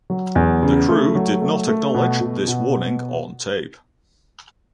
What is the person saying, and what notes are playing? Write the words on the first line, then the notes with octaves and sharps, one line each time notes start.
The crew did not acknowledge this warning on tape.
F#3
E2
C#3
A3
F#3
A3
A3
B2
B2
B2